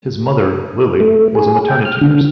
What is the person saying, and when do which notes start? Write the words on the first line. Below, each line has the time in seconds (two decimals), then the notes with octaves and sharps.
His mother, Lily, was a maternity nurse.
1.00 A3
1.35 G#4
1.68 G5
1.85 F6
2.01 D3